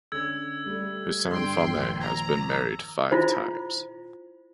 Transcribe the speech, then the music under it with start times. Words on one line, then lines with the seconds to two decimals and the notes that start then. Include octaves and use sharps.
Hussein Fahmy has been married five times.
0.12 D3 C#4 E6 G#6
0.66 G3 A3
1.29 G2 D3 G5 C6
1.66 G#1 F2 A#2
2.00 A#5
3.12 E4 F4 C5